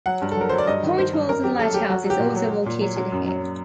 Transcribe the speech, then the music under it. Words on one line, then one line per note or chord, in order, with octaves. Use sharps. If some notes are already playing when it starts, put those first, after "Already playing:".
The Point Wilson Lighthouse is also located here.
F#3 F#5
G2
A4
F#3 A#4
F#3 C5
D5
G2 D#5
D#3
G2 C5
G2
F#2 A#4
F#3 G4
F#3 A4
F#3 G4
F#3 F#4
F#3
G4
A#2
F#3
F#3
A#2
F#3
F#3
F#2
F#3